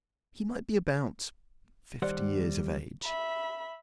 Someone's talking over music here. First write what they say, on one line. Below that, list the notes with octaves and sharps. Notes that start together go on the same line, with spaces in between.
He might be about fifty years of age.
D#2 G3 C5 D5 F#5
E5 B5